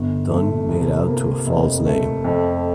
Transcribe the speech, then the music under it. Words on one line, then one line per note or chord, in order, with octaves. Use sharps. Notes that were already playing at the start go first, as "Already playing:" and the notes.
Dunn made out to a false name.
Already playing: G1
A3
C2
A#3
F1
A3
F2